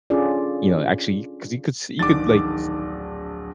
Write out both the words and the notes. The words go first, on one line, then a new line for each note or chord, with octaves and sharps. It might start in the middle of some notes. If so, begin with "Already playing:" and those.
you know, actually 'cause you could s you could, like, s
C#4 D4 F4 G#4 A4 D5
D1 A#1 D#3 D6 A6